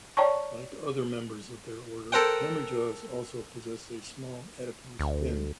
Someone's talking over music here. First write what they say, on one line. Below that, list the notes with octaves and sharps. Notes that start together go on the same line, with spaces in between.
Like other members of their order, hammerjaws also possess a small adipose fin.
C#5 D5 G5 A5 A#5 C#6
A4 A#4 C5 F#5 G5
D2